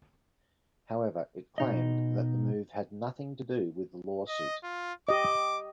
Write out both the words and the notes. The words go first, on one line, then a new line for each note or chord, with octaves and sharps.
However, it claimed that the move had nothing to do with the lawsuit.
B2 D#4 D#5
D#5
F4
G4 D#5 D6